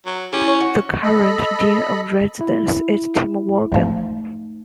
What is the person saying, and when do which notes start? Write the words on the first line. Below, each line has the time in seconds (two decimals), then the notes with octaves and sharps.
The current Dean of Residence is Tim Worgan.
0.06 F#3
0.33 G3 C#4 E4
0.48 C#5
0.61 F#4
1.03 A4 D#5 B5
2.41 E4
3.72 E2 G#2 F3 A3 D#4